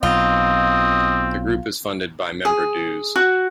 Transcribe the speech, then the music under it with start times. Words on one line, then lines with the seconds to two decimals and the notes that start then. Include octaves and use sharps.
The group is funded by member dues.
0.03 B1 C4 F4 D#5
2.45 G#4
3.16 F#4